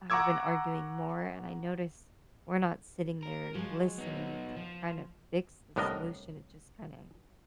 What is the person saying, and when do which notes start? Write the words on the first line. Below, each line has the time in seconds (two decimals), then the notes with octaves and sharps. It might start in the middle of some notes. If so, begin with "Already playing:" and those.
have been arguing more and I noticed, we're not sitting there and listening to kind of fix the solution, it just kind of
0.10 F#5 A#5 C#6 D6 E6 G#6
3.23 A#4
3.55 F3 F#3 G#3
3.98 B3 D#4
4.57 F3
5.76 C2 A2 B3 D4 A#4 D#5